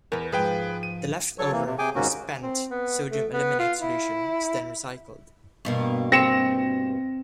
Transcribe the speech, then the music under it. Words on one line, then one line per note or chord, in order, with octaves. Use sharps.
The left-over or 'spent' sodium aluminate solution is then recycled.
E2 A#4 B4
G#2 F3 G#4 B4 G5
D#7
F#3 A4 C#5 C#6
E3 A#3
C3
C3 G#4 G5 G#5 D6
D#2 G#2 A#3 C#4 F#4
C4
B3
A3
B3
F4
E4
G2 B2 A#3
C4 A#6 C#7 E7